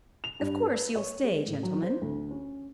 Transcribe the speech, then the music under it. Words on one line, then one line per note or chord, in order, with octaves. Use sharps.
Of course you'll stay, gentlemen?
F7
G2
B4
C#5
G#3
A2
F#3
C5
D2
C#4